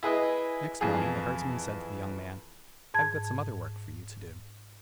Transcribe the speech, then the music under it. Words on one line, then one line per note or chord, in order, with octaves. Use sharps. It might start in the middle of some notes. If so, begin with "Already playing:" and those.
Next morning the herdsman said to the young man: 'I have got some other work for you to do.
E4 G#4 B4 D#5
F2 E3 G#4
G#2 A5 G#6